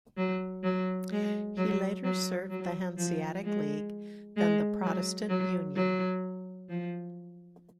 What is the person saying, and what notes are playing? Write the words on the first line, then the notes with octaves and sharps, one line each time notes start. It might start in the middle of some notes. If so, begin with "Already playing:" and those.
He later served the Hanseatic League, then the Protestant Union.
F#3
F#3
G#3
F#3
F#3
F#3
F3
G#3
G#3
F#3
F#3
F#3
F3